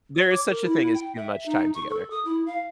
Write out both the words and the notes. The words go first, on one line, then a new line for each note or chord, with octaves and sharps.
There is such a thing as too much time together.
C#5
D6
A#4
E4
G5
E5
D#4
C#6
A4
D#6
E4
F5